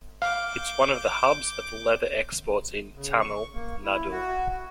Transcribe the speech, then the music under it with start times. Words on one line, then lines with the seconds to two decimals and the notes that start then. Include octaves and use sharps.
It's one of the hubs of Leather exports in Tamil Nadu.
0.22 F5 D6 G6
2.95 C#3
3.21 C#6
3.54 A#3
3.84 E4
4.11 F#4